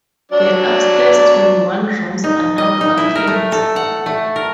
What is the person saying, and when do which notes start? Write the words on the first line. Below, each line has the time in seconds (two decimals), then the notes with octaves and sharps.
The upstairs twenty-one rooms are now vacant.
0.32 F#3 D4 D5
2.24 D#4
2.58 D#5
2.81 D#4
2.98 E4
3.15 A#4
3.27 A3
3.52 A4
3.76 F#5
4.06 A3
4.36 A#4